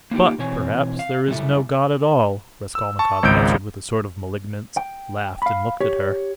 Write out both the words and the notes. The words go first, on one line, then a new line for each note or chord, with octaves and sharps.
"But, perhaps, there is no God at all," Raskolnikov answered with a sort of malignance, laughed and looked at her.
A#3 B3 D#4 F4 G4
B2 E3 C4 C#5 G#5
F5
F#2 C#3 G3 E4 A4 E5
E6
A5 C#6
G#1 C#2 E6 G6 D7
G5
F5 B5
G4 C#5